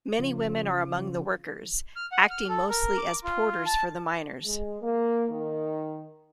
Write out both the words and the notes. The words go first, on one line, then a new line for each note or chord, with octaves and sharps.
Many women are among the workers, acting mostly as porters for the miners.
C#3 F3
F6
F#5
F6
A4
A#4
D6
F4
A5
G#3
A#3
D#3